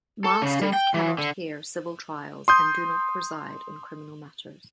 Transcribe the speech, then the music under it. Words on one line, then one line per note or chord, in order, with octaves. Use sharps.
Masters cannot hear civil trials and do not preside in criminal matters.
A4
C#3
G3
G5
E3
D3
C6 D#6 G6